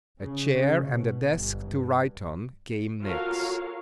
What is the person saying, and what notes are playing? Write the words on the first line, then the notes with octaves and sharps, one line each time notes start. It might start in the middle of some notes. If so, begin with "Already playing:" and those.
A chair, and a desk to write on, came next.
C#3
C#3
B2
G1
G2
F4 F#4 A4 A#4 C#5 F5